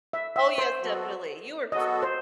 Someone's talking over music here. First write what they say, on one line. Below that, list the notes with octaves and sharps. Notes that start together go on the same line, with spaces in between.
Oh, yes, definitely. You are f
E5
E5
C5
F#3 B3 F#4 A4
F#3 B3 F#4 A4 D#5
C5